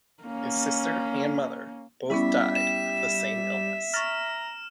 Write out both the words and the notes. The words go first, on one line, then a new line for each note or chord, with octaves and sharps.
His sister and mother both died of the same illness.
A#3 C#4
G3 B3 C#4 E4 E5
E7
A#5 C#6 F6 A6